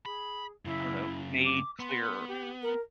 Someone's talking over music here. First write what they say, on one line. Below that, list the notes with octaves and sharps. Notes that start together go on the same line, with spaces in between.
I don't know, made clear
G#4 B5
F#2 C#3 E4
D6
B3 C6
G4
A#4